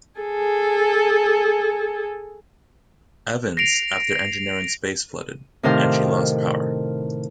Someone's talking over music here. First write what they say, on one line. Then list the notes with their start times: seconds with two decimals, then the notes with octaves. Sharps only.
"Evans" after engineering spaces flooded, and she lost power.
0.20 G#4 A4
3.57 A#6 C7 D7 F7
5.63 A2 C3 D#3 A#4 C5 F5